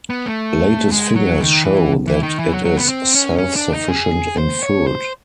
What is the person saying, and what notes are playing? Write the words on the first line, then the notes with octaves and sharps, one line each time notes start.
Latest figures show that it is self-sufficient in food.
B3
A3
G#3
F#3
D#3
E3
E3
D#3
E3
F#3
F#3
B3
C4
C#4
C#4
D4
D#4
G#4
C5
C#5
C5